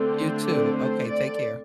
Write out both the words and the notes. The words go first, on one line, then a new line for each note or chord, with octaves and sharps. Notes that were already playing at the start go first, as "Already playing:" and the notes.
You too, okay, take care.
Already playing: D3 A3 C4
C5
D5
C5
D5